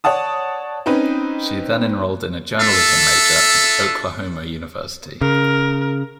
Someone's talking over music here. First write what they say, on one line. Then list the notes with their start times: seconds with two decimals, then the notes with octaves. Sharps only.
She then enrolled in a journalism major at Oklahoma University.
0.04 C#5 D5 F#5 A5 D#6
0.86 C4 C#4 D#4 B4
2.60 D4 F4 A4 E5
5.21 C#3 A#4